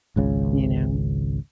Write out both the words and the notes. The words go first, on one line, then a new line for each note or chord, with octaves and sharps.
You know?
G#1 C#2 C#3